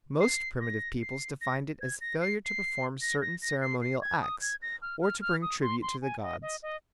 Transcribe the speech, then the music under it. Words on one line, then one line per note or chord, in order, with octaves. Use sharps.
Most primitive peoples defined it as failure to perform certain ceremonial acts, or to bring tribute to the gods.
C7
A#6
C7
A#6
G#6
A#6
C7
C7
A#6
A#6
A#6
C7
C7
G#6
D#6
G#6
A#6
F6
F6
F6
D#6
C6
C6
G#5
D#5
D#5
D#5